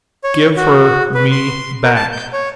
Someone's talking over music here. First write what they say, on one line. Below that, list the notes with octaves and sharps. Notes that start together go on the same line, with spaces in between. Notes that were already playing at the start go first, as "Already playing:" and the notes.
"Give her me back."
C#5
F#4
B4
C6
A#4
A5
G6
C#5